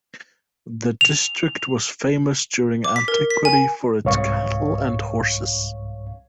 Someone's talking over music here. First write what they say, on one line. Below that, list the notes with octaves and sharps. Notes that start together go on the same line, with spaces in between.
The district was famous during antiquity for its cattle and horses.
F7
D6
B6
A#4
B6
G#5
C2 G#2 C#5 F5 C#6